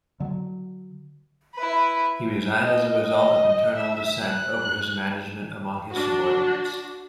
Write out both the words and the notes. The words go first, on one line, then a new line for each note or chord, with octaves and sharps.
He resigned as a result of internal dissent over his management among his subordinates.
D3 F#3
E4 B4
D#5
D#5
E5
F#6
D4 F#4